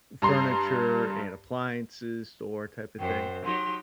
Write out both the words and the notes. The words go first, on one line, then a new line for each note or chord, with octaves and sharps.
furniture and appliances or type of thing,
G2 A#5 C6 C7
F#2 C5 G5
F#3 D#4 G4 C6